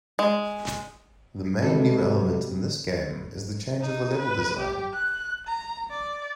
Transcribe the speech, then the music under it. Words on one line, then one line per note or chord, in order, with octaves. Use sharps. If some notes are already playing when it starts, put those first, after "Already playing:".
The main new element in this game is the change of the level design.
G#3
C3 G3 G#3 C4 F#4 A4 B4
D#4
B4
G4
F#6
A#5
D5